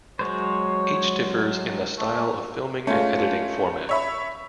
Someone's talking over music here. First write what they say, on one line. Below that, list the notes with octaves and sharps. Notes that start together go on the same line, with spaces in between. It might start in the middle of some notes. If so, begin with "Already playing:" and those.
Each differs in the style of filming and editing format.
F#3 G#3 C5 C#5
A3
G#3 A3 C#4 F4
C#5 E5 B5